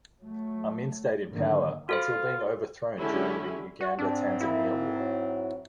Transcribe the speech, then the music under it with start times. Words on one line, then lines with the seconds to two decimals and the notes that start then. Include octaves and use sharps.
Amin stayed in power until being overthrown during the Uganda–Tanzania War.
0.21 F#3 A3
1.30 G#2 D3 D#3 F#3 A#3
1.89 F4 F#4 A4 C5
2.99 D3 G#3 C#4 E4 G4
3.81 F#4
3.99 G#2 C4 D4
4.41 A#3 E4
4.99 F#3